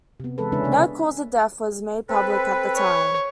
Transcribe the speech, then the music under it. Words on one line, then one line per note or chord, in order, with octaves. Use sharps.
No cause of death was made public at the time.
C3 B3
E3 G#3 A4 B4
C#3 G#3 C#4 D4 E4 B4
C3 D4 G#4
C4 A4 B4
C#5